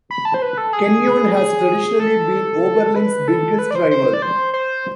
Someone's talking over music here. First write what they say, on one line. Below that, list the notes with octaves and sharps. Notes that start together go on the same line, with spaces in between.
Kenyon has traditionally been Oberlin's biggest rival.
B5
A5
C5
B4
A4
G#4
G#4
A4
B4
A4
B4
D5
C5
C5
D5
C5
C5